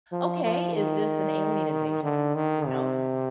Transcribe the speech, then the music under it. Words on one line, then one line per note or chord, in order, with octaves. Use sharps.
"Okay, is this an alien invasion?" You know
F3
F3
D#3
D3
D#3
C3